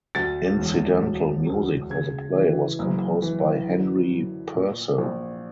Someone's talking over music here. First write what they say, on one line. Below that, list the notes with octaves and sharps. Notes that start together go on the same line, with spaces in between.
Incidental music for the play was composed by Henry Purcell.
D2 A6
E1
D2
D2
C#3 G#6
E3
F#1
E3
D3
F#2
A#2
A#1